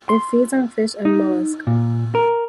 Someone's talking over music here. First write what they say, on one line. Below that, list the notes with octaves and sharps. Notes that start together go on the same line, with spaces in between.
It feeds on fish and molluscs.
C6
D#4
A#2
A#4